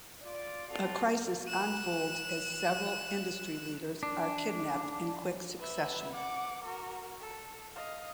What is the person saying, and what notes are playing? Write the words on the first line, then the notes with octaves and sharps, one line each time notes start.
A crisis unfolds as several industry leaders are kidnapped in quick succession.
F4 D5
C4 D4 F4 F#4 A4
F#6 E7
D4
B4 E5
F#5 D6
F#4 A#4
A4
D#5 F5